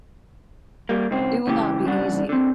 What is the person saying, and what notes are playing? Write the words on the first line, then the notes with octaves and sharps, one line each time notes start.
It will not be easy.
G3 A#3
C#2 G#2 C4
C#2 C#3 E3 G4
C2 G2 C#3 D4 F#5
D3 C4